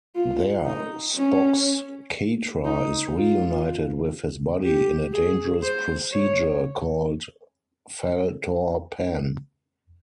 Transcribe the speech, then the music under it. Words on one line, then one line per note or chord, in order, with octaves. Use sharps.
There, Spock's "katra" is reunited with his body in a dangerous procedure called "fal-tor-pan".
F4
D#4
C#4
D#4
F4
G4
G#4
C5
C#5